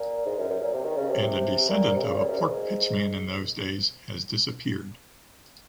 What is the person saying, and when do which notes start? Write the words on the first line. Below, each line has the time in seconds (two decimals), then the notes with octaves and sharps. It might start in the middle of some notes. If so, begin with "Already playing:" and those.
And a descendant of a pork pitchman in those days has disappeared.
Already playing: A#2
0.26 G#2
0.39 F#2
0.50 F#2
0.61 A#2
0.73 C3
0.85 D#3
0.97 C#3
1.09 C3
1.21 C3
1.68 A#2
1.96 C3
2.04 C#3
2.15 A#2
2.28 F#2
2.39 G#2